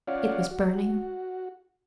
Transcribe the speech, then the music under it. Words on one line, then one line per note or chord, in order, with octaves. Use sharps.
It was burning.
C#4 F4 C#5 D5 F5 F#5
F#4